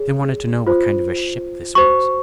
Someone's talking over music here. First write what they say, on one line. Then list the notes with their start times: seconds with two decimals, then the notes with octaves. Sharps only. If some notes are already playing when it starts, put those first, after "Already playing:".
They wanted to know what kind of a ship this was.
Already playing: G#4 C#5
0.67 F4 C5
1.75 F#4 C5 C#6